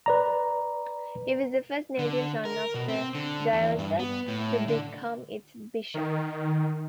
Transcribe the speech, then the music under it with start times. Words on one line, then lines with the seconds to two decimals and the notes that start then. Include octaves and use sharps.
He was the first native son of the diocese to become its bishop.
0.06 B4 D5 A#5
1.99 D3
2.45 A#4
2.74 B2
2.89 C4
3.15 D3
3.52 E2
3.78 G2
3.99 B3
4.28 A2
4.68 D3
5.94 D#3